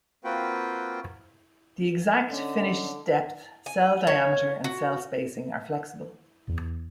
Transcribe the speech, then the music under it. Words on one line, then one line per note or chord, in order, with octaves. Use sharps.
The exact finished depth, cell diameter and cell spacing are flexible.
A#3 C4 F4 F#4 B4 G5
D3 C#4 D#5
G#5
C#5
F#4
E2